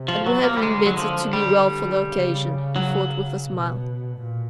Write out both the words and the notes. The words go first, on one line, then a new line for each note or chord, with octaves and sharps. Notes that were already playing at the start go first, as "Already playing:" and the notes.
"It would have been better to be well for the occasion," he thought with a smile.
Already playing: C3
F3
F#3
A#3
G3
D3 G#3
F#3
F3
G3
C#3
F#3
B2
A#2